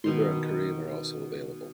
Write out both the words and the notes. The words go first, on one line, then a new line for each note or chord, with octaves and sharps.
Uber and Careem are also available.
B2 D#3 C6